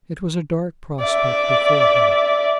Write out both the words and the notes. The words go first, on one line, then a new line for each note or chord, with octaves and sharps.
It was a dark prospect before her.
D5 E5